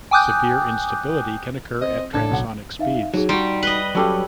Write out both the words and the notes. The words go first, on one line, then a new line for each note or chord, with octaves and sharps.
Severe instability can occur at transonic speeds.
G5 G#5 D6 D#6 F#6 G6
C4 D#5
A1 D4 A4 G#6
B1 F#5
D#4 E5 F5
F#3 D#4 G#4
G3 D#4 F#4 G5 A#5 C6
B4 D#5 F#7 G7
F#3 C#4 G4 A4 C#5 F5